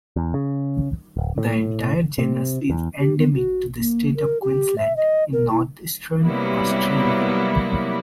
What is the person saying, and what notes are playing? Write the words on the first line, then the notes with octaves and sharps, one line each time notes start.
The entire genus is endemic to the State of Queensland in northeastern Australia.
E2
C#3
D1
A2
C3
E2
G4
B3
F#4
A#3
A#4
G4
E5
D#5
A#4
E4
C3 F#3 G3 A#3 B3 E4